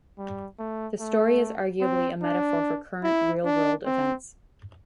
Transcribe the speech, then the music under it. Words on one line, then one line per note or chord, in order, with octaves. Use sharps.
The story is arguably a metaphor for current real-world events.
G3
A3
A3
C4
D4
E4
D4
C4